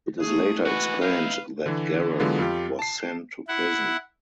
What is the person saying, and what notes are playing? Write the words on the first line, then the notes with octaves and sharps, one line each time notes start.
It is later explained that Gareth was sent to prison.
A3 G#4
E3 G#3 F#4 B4
D#4 E4 F5
D3 E3
D3 E3 F#3 G#3 B3 F4
F2 F4 G4
A5 C7
E4 F#5